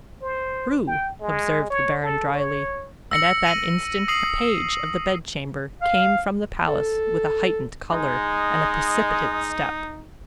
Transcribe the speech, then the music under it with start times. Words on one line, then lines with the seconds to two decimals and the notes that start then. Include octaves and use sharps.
"True!" observed the Baron, dryly, and at that instant a page of the bedchamber came from the palace with a heightened color, and a precipitate step.
0.22 C5
0.88 G5
1.21 G#3
1.70 C#5
2.03 A4
2.34 C#5
3.11 E6 A#6 C#7 F#7
3.45 A#6 D#7 F#7
4.08 D#6 C7 D#7 F#7
5.82 F5
6.68 A4
7.91 G#3 D#4